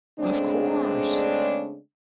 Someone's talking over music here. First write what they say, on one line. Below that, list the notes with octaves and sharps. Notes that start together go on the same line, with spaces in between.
Of course.
C#3 G#3 A3 C4 D4